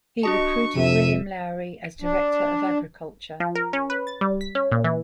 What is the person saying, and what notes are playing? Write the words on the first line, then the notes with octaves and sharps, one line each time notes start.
He recruited William Lowrie as director of agriculture.
D4 F#4 D#5 A5 C#6
F2 C3 E5 D#7
D4
F3
A#4
C#4
B4
A6
G3
B6
C#4
A#2
E3